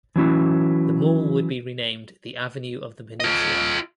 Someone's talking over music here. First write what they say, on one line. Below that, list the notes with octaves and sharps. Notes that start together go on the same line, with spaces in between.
The mall would be renamed The Avenue of the Peninsula.
E3 F#3 C#4 E4
F4 D#5